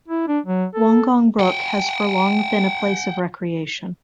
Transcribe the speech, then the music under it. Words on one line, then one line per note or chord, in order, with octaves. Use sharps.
Wongong Brook has for long been a place of recreation.
E4
D4
F#3
A4
F#5 G5